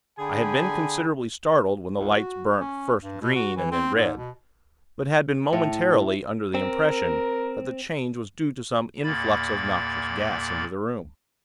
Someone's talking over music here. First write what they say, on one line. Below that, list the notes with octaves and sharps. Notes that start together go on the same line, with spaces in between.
I had been considerably startled when the lights burnt first green and then red; but had been momentarily under the impression that the change was due to some influx of noxious gas into the room.
D3 G#4 G5 G#5 B5
C#2
F#4
C#4
G2
B2
F#4
E3
C4
G#2
B2
A2
C4 A#4
E2 A#2 A#3 B5 A6